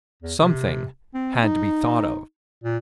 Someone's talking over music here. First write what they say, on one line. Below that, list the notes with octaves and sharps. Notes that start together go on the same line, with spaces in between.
Something had to be thought of.
E2
C3
C4
D#4
A#2